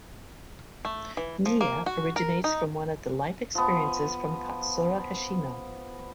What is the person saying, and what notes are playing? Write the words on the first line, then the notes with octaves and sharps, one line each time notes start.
Nea originates from one of the life experiences from Katsura Hoshino.
A3
E3
F3
A#3
F#4
A#4
D#4
F3 B3